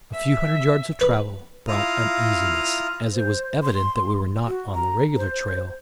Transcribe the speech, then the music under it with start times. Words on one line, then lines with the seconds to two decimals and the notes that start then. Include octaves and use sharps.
A few hundred yards of travel brought uneasiness, as it was evident that we were not on the regular trail.
0.14 E5
1.01 B4
1.68 E4 F4 F5 A#5 D#6 F6
3.13 C5
3.63 C6
4.47 F#4
4.74 A#5
5.17 C5